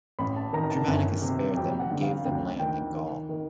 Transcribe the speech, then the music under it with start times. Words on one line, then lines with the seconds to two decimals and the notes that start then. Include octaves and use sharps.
Germanicus spared them and gave them land in Gaul.
0.19 A1 B5
0.36 A5
0.53 D#3 A#5
0.70 A5
0.87 G1 G#5
1.22 C3
1.57 F2 G5
1.80 F#5
1.91 D3
2.02 F5
2.25 D2 G5
2.59 D#3 G5
2.94 D#3
3.29 D#3